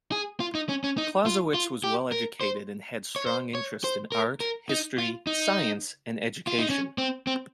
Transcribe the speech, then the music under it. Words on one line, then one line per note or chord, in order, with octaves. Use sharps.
Clausewitz was well-educated and had strong interests in art, history, science, and education.
G#4
F4
D#4
C#4
C#4
D#4
F4
F4
G4
A#4
C5
C#5
C5
C#5
C5
A#4
A#4
D#4
F4
D#4
F4
D#4
C#4
C4
C4